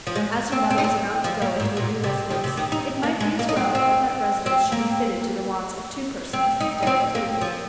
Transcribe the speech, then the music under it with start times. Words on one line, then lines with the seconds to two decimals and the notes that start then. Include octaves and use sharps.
As her mother was about to go into a new residence, it might be as well that that residence should be fitted to the wants of two persons instead of three.
0.07 F3
0.16 G#3
0.52 C4
0.70 C4
0.78 D#4
0.84 C4
1.24 F3
1.42 A#3
1.60 G#2
1.77 A#2
2.04 C3
2.30 D#3
2.44 C3
2.57 D#3
2.72 D#4
3.03 A#3
3.20 G#3
3.39 A#3
3.49 D#4
3.57 C4
3.75 C4
4.46 C4
4.72 A#3
6.33 C4
6.60 D#4
6.83 D#4
6.87 C4
7.15 A#3
7.41 F3